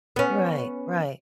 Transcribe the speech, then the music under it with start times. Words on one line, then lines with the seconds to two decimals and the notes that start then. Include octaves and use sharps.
Right, right.
0.16 B3 C#4